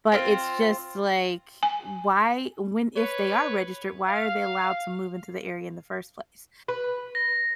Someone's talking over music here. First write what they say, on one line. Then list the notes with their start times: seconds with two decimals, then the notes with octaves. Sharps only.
but it's just, like, why when if they are registered, why are they allowed to move into the area in the first place?
0.12 C4 F4
1.63 G#5
2.97 B4 C#5
4.08 F5
6.68 B4
7.15 A#6